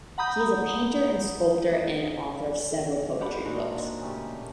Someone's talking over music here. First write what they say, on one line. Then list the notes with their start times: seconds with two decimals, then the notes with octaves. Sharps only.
He is a painter and sculptor and an author of several poetry books.
0.18 F#5 A#5 B5 D#6 G6
3.21 D4 G4 F#5 B5
3.45 A#2 F3 G#3 D#4 F#4 A#4
4.01 C#3 A3 G4